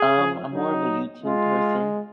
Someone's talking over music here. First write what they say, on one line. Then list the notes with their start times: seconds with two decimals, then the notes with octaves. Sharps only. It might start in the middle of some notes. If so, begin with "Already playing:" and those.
Um, I'm more of a YouTube person,
Already playing: G#4
0.17 F3
0.52 F#3 D#4
1.25 G#3 F4